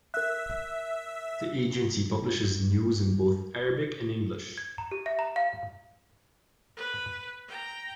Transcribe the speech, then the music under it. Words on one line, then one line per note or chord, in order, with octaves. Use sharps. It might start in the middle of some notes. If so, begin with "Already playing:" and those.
The Agency publishes news in both Arabic and English.
A#4 E5 F#6
G#6
A#5
G4
E5
A#5
F5
B4
G5 A#5